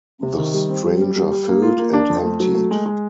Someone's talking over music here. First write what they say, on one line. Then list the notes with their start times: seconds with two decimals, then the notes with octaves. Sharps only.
The stranger filled, and emptied.
0.23 C3
0.38 D#3
0.54 G3
0.69 C4
0.84 G3
1.01 G3
1.16 G3
1.31 G3
1.48 A#3
1.62 F4
1.78 A#3
1.93 D4
2.10 F2
2.25 A3
2.40 F#3
2.55 A3
2.71 G#3
2.86 G#3